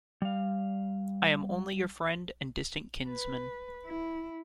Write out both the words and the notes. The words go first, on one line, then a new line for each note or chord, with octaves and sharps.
I am only your friend and distant kinsman.
G3 F5
B4
E4